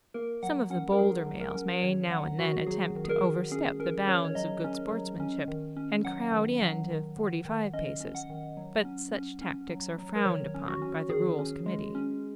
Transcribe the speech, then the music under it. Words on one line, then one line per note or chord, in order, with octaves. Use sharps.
Some of the bolder males may now and then attempt to overstep the bounds of good sportsmanship and crowd in to forty-five paces, but such tactics are frowned upon by the Rules Committee.
A#3 A#4
F#3 F#5
C#4 F#5
A#4
F#3 G#4
F#3
A#4
C#4
D#3 C#5
F#3 F#5
D#3 F#4
F#3 G#4
D#3
G#4
A#4
D#3
C#4 G#4
C#4 A#4
C#4 C#5
C#5
F#3 D#5
C#4
F#3
C#4
D#3
C#4
F#3 F#5
D#3
F#3
D#3
D#3
D#3
C#4 D#5
C#4
F#5
D#3
F#3
C#4
C#4
C#4
F#3
F#3
A#4
D#3 C#5
C#4
F#4
C#4
D#3 G#4
C#4
G#3
C#4